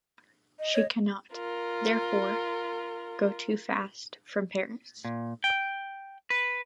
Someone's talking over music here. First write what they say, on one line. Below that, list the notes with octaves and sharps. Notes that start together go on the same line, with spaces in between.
She cannot, therefore, go too fast from Paris.
D#5
C#5
F4 A#4
A#2
G5
B4